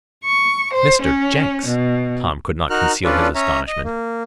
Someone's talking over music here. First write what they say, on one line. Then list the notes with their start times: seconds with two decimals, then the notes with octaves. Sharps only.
"Mr. Jenks?" Tom could not conceal his astonishment.
0.24 C#6
0.72 C5
1.01 C#4
1.65 B2
2.70 D#4 F#4 A#4 F6 F#6
3.04 C#4 D4 F4 A4 B4 D5
3.35 C#4 C#5 E5 A#5
3.68 D#5
3.85 A#3